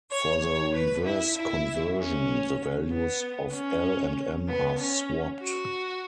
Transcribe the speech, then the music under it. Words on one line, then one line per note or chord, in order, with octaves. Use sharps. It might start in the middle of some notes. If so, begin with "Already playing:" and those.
For the reverse conversion, the values of L and M are swapped.
C#5
C#5
B4
E4
E4
C#4
B3
C#4
B3
C#4
F#4